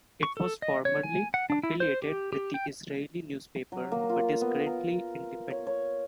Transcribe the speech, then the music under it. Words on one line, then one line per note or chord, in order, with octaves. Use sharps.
It was formerly affiliated with the Israeli newspaper, but is currently independent.
C#6
A4
D#5
C#5
G#5
F#5
D4
E4
C5
G4
G4
G5
F#3
A#3
F4
B3
A#4
C#5
C#5